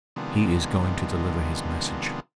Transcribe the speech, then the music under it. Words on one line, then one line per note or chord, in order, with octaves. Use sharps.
He is going to deliver his message.
C3 D#3 F3 G#3 B3 D4